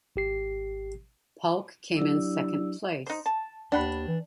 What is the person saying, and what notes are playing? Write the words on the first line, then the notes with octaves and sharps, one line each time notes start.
Paulk came in second place.
G#1 G4 C7
F#3 D4 E4 G4 D5 E6
D#4 C5
A5
D#2 B3 D4 G5 B5
E3